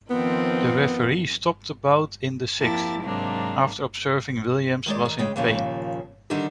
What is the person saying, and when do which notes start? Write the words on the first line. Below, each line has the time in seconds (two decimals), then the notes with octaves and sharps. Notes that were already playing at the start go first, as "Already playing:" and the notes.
The referee stopped the bout in the sixth, after observing Williams was in pain.
0.10 D#3 F3 B3 C4
2.61 F2 A#3 E4 G4 A5 A6
3.03 G#2 C3 F#3 A#3 C4 D4
4.86 D#3 G#3 D5
5.05 D#3
5.19 C#3 G#3 G5
5.36 D#2 A#2 C#3 F3
6.30 D3 D#3 G3 D4 D#4 G4